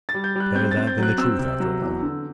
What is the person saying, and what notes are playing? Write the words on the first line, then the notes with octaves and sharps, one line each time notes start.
Better that than the truth, after all.'
A6
G3
G6
G3 F#6
C4 G6
A6
C4
G6
F#3 F#6
C4 E6
C3
F#3
E2
D3